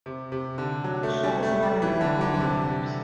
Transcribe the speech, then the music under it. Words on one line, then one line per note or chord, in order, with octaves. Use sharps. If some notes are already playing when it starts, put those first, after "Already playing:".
The show was narrated by Gordon Peters.
C3
C3
D3
F#3
A3
G3
A3
G3
E3
D3
D3
D3
C3